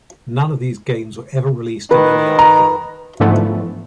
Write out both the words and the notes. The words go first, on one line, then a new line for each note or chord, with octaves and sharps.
None of these games were ever released in any other form.
D#3 B4
A#5
G#2 D3 E3 F3 A3 B3